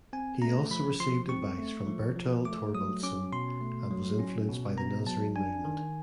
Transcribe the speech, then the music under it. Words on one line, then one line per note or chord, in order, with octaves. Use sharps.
He also received advice from Bertel Thorvaldsen and was influenced by the Nazarene movement.
C4 G#5
A3 A#5
F3 B5
F3 C6
C4 C#6
A3
F3
F3
A3 D6
F#3 D#6
C#4 D6
B2 C6
A3
F#3
C#4
B2
B3 A#5
F#3 A5
D4 G#5
D#3